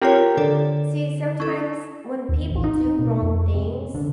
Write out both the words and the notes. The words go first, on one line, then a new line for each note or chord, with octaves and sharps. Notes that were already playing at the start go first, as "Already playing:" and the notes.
see, sometimes when people do wrong things
C4 F4 G4 A#4 C#5 G5
D3 D4 A4 D5
C#4 E4 A4
D#2
A1
D#4
B2
F2
C3
D3